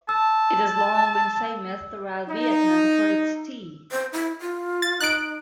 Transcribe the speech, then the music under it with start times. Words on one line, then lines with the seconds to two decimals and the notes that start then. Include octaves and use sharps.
It has long been famous throughout Vietnam for its tea.
0.09 A5 E6
2.29 D#4
3.91 C5
4.13 E4
4.41 F4
4.82 A6
5.00 D#4 F#6 D7